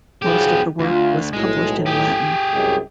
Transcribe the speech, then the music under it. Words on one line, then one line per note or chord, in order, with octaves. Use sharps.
Most of the work was published in Latin.
B1 F3 B3 G4 G#4
D2 F4
B1 A2 G#3
G4 G#4
C2 F#2 G#3